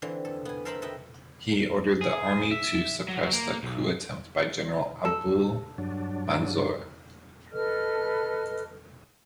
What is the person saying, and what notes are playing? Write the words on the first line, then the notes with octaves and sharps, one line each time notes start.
He ordered the army to suppress the coup attempt by General Abul Manzoor.
D3 E3 C4
A4
B3 G#5
A4 A#4 C5 E5 A5 B5
A4 B4 D#5 E5 G5
G#4
E5
F#3
A#3
B1
A4
G2 F#3 D4
A4 B4 D#5 F6